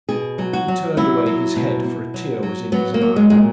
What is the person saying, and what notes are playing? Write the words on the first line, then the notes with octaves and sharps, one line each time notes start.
He turned away his head, for a tear was in his eye.
B2 G#4
F#3
F#4
F#3
F#3 E4
F#3
B2
B2
F#3
F#3
F#3 B3
A#3
F#3
G#3
A#2 G#3